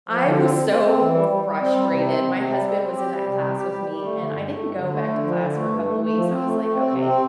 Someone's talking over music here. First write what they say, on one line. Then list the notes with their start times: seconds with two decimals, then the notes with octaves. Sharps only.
I was so frustrated. My husband was in that class with me, and I didn't go back to class for a couple of weeks. I was like, "Okay,"
0.09 F3
0.24 D3
0.40 C4
0.55 C4
0.69 C4
0.85 C4
1.00 E3
1.15 G3
1.29 G3
1.45 G3
1.60 C4
1.75 G3
1.91 C3
2.06 C4
2.21 C3
2.36 C3
2.51 G3
2.67 C4
2.82 C4
2.96 G4
3.12 G3
3.27 C3
3.42 G3
3.57 G4
3.72 G3
3.88 G3
4.03 A3
4.18 D3
4.33 G2
4.48 A3
4.64 G2
4.79 D3
4.94 A3
5.09 D3
5.24 F3
5.39 D3
5.54 A3
5.69 G2
5.85 A3
6.00 A3
6.15 F3
6.30 C4
6.46 A3
6.61 A3
6.75 C4
6.91 C3
7.06 C4